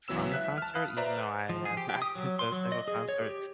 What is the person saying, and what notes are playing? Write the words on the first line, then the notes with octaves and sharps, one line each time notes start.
from the concert, even though I have not been to a single concert
C#2 E3 F#3 B3 E6 E7
E5 F#6 B6
A5 F6
F5 B5 D#6 F#6
B4 C5 D5 E5 A#5
F3
G#4
G4
G4
D#6
F#3
C6
F#3
D#5
G#4
C#5
G4